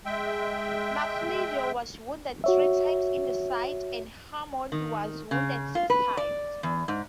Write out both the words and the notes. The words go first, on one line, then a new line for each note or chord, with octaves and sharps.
McLeod was wounded three times in the side and Hammond was wounded six times.
G#3 E5 G5
F#4 C#5 E5
D#3
C#3
F4
B4
D5
E2
G#2